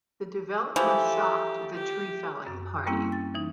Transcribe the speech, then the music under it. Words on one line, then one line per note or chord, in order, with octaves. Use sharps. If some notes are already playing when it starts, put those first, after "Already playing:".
The development shocked the tree-felling party.
E3 F3 G4 A4
G4
F#2
G3 A#3 C4 C#4 E4
A6
E3 D#4